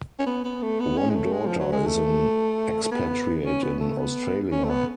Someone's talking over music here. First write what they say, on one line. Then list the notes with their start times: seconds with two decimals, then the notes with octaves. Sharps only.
One daughter is an expatriate in Australia.
0.19 C#4
0.27 B3
0.45 B3
0.62 A3
0.80 B3
0.98 C#4
1.10 G#3
1.15 A3
1.33 G#3
1.47 F3
1.60 F#3
1.72 G#3
1.87 A3
2.84 A3
2.92 B3
3.45 C#4
3.63 B3
3.81 A3
3.98 B3
4.52 C#4
4.64 A3
4.69 B3